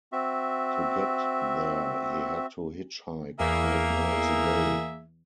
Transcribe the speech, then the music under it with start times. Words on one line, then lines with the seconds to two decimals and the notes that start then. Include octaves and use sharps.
To get there, he had to hitchhike five miles a day.
0.12 C4 F#4 E5
3.40 E2 A#3 G#4 E5